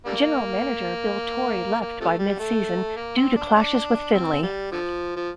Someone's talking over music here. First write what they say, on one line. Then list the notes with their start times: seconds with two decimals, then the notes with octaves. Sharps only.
General manager Bill Torrey left by mid-season due to clashes with Finley.
0.06 D3 G3 A#3
1.81 A#3
2.01 C3 F3 A3
2.19 G3
2.39 A3
2.97 A#3
3.17 C4
3.36 D4
3.55 D4
4.13 C4
4.43 G3
4.72 D3 F3
5.16 F3